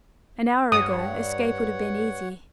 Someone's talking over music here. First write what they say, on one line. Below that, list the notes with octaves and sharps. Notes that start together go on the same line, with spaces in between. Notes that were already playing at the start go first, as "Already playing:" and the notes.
An hour ago escape would have been easy.
G2 C#5 F#5 D#6